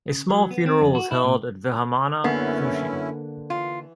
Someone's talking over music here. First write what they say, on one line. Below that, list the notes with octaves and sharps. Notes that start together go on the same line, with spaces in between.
A small funeral was held at Vihamanaa Fushi.
C#3
F#3
B3
C4
F2
F#4
E4
A#2
F#2 D3 A#3 B3 C#4 E4
E3 F4